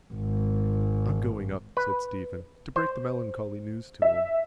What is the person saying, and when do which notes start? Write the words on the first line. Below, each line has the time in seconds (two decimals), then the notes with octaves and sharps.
"I'm going up," said Stephen, "to break the melancholy news to him."
0.13 G#1
1.77 B4
2.76 C5
4.02 E5